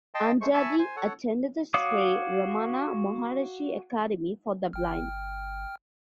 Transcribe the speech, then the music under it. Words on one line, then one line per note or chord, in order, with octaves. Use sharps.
Angadi attended the Shree Ramana Maharishi Academy for The Blind.
D#5 G5 A5 C6
G#3 A3 C5 C#6
E5 G#5 A5 B5 C#6 E6
C5 G#5
A4 C#5 F#5
F#4 C#5 F5 D6 D#6
G1 G5 F6